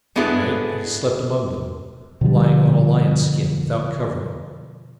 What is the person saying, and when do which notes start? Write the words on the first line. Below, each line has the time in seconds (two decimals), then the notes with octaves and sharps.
At night he slept among them, lying on a lion skin without covering.
0.16 G#3 B3 D4 E4 G#4 A4
2.21 B2 D3 F3 G3